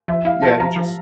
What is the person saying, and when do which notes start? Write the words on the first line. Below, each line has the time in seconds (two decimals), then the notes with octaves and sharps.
Yeah, you just
0.08 F3 E5
0.25 E4 F5
0.42 F3 A5
0.60 F3 A#5
0.76 F3